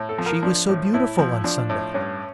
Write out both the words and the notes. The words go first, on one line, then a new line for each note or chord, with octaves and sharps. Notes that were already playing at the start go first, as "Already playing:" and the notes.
She was so beautiful on Sunday.
Already playing: A2
A4
F3
A#4
F3 D4
A2
A2 E4
F3
F3 D4
A2
G2 C#4